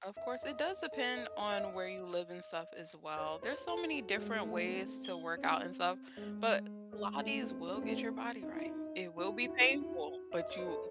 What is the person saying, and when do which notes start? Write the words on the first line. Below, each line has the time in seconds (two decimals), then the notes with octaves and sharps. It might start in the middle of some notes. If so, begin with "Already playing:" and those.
of course, it does depend on where you live and stuff, as well. There's so many different ways to work out and stuff, but Pilates will get your body right. It will be painful, but you
0.17 E5
0.42 D#5
0.68 D#5
0.92 A4
1.17 D#5
1.42 D#5
1.50 E5
1.60 D#5
3.17 C#5
3.42 C5
3.67 A4
3.92 F#4
4.17 G#3
4.34 G#3
4.42 A3
4.67 C4
5.37 C#4
5.42 C4
6.17 G#3
6.93 G#3
7.17 A3
7.43 C4
7.67 C#4
7.75 C4
7.82 A3
7.89 C4
8.42 D#4
8.53 E4
8.65 D#4
9.17 E4
9.28 F#4
9.39 E4
9.49 F#4
9.60 E4
9.70 F#4
9.81 E4
9.92 F#4
10.31 E5
10.40 D#5
10.50 C#5
10.59 C5
10.68 A4